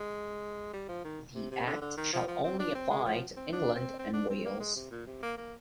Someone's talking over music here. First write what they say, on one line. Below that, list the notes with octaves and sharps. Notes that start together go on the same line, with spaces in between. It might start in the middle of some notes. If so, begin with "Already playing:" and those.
The act shall only apply to England and Wales.
Already playing: G#3
G3
F3
D#3
C3
C3
D3
D3
D#3
F3
F3
C4
D4
C4
G#3
F3
C4
D4
C4
C4
D4
C4
A#3
G#3
C3
A#2
C3
A#3
A#3